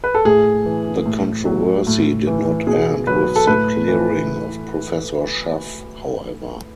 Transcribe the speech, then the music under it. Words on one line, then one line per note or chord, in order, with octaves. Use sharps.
The controversy did not end with the clearing of Professor Schaff, however.
B4
A4
A2 G#4
E3
A2
F#3
A2
E3
B2 G#4
F#3 B4
A4
A2 B4
E3